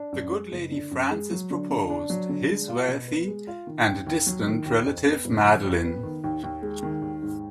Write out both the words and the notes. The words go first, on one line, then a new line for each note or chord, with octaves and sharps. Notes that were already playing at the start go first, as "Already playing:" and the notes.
The "good lady" Francis proposed: his wealthy and distant relative Madeleine.
Already playing: D4
F#2
G#3
F#1
D3
F#2
G#3
F#3
D3
D3
D4
F#3
D3
G#3
F4
B2
B3
G#3
F4
D#3
D#2
D#2
F#3
D#3
D#2
F2
B3
F#1
F3
F2
B3
D#3
D#2
D#2
G#3
D#3
D#2
G#2